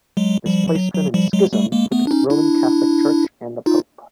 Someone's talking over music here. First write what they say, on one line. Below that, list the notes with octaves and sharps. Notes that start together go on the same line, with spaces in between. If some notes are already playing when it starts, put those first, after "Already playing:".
This placed them in schism with the Roman Catholic Church and the Pope.
F#3 G#3
F3 G3
F3
F#3
F#3
F3 G3
F#3 G#3
G3 A3
G#3 A#3
A3 B3
D4
C#4 D#4
D4 E4
D#4 F4